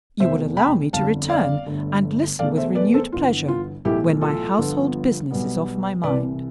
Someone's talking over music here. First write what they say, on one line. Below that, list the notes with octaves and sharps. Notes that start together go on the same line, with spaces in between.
You will allow me to return, and listen with renewed pleasure, when my household business is off my mind.
F1 E2 B2 A3 C5 E5
G5 B5
G1 F2 D3 F5 A5
D5 F5
G1 G2 D3 A3
E1 E2 B2 A3 D5 F5
C5 E5
B4 D5
B4
A4 C5
G1 G2 E3 B3 F4
F4
B1 A2 E3 A3 E4 G4
F4 A4
G1 G2 F3 B3
B1 B2 G3 B3
C2 C3 E3 B4 D5